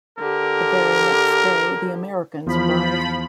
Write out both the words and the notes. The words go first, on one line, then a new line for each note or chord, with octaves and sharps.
The very next day the Americans arrived.
D3 G4 A#4
E2 F3 B5